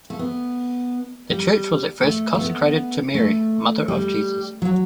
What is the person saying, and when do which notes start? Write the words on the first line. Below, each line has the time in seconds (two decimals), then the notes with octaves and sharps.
The church was at first consecrated to Mary, mother of Jesus.
0.10 A3
0.19 B3
1.30 G3
2.03 A3
2.35 A3
2.41 B3
3.14 A3
3.88 G3
4.62 F#3